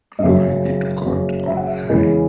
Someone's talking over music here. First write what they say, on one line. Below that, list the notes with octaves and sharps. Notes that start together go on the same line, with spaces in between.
Glory be to God on high.
D#5
F#1 F#2 C#3 F#3 E5
F#1 F#2 C#3 F#3
E5
F#5
E5
E2 C#3 E3 G#3 D#5